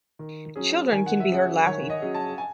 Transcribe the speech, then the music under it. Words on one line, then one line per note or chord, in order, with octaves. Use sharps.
Children can be heard laughing.
D#3
F#3 C#4 G#4
D#3 G#5
F#5
E5
F#3 C#4 G#4 F#5
D#3 C#5
D#5
F#3 C#4 G#4
A5
G#5